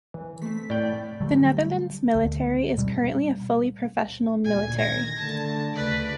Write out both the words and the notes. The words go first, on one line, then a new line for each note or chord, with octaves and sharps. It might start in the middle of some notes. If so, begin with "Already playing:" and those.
The Netherlands' military is currently a fully professional military.
E3
A3 C4 B6
A2 D5 G5
D3 F#3 G3 A3
D2
B2 G3
D2 A#2 C#3 G#5
D#3 G#6 A#6
D3 A3 A5
D2 C#3 A3 B4 D5